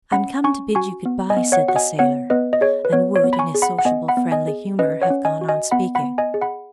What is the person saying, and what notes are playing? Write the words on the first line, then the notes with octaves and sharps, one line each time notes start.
"I'm come to bid you good bye," said the sailor, and would in his sociable friendly humour have gone on speaking.
C#4 F#5 B5
C#4 G#5 C#6
F#4 G#5 C#6
B3
D#5 G#5
B3
C#5 F#5
F#4 F#5
D#5 G#5
B3 C#5 F#5
B3 B4 D#5
D#5
G#4 C#5
B4
B3 C#5
C#5
B3
B5
G#5 C#6
G#4
F#5 B5
F#5
B3 D#5 G#5
F#5 B5
B3
D#5 G#5
G#4
C#4 B4 D#5
C#5 F#5
C#4
D#5 G#5
F#4
D#5 G#5
B3 F#5 B5
F#5 B5
B3
D#5 G#5
G#4
F#5 B5